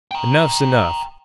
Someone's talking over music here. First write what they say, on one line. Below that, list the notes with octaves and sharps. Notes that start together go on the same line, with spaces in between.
Enough's enough.
G5 A#5